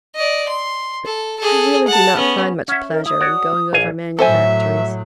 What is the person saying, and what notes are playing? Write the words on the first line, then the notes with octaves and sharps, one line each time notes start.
But I really do not find much pleasure in going over manufactories.'
D5 D#5
C6
A4
G#4 A4
F#5 A5
B3 C#4
C#4 E5 F#5
A#4
E4 D#6
F#4 C#5 D5
A#1 F5 G#5
A2 F#3 A4 C5 E5 G#5